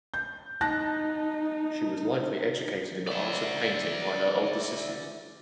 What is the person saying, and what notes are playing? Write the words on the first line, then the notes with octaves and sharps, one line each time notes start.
She was likely educated in the art of painting by her older sisters.
G6
D#4 A5 F#6 A#6
D5 E5